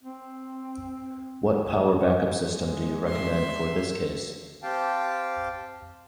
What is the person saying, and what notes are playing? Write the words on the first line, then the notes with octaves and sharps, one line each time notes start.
What power backup system do you recommend for this case?
C4
G#3
E5 C6
C4 G4 F5 G5 A5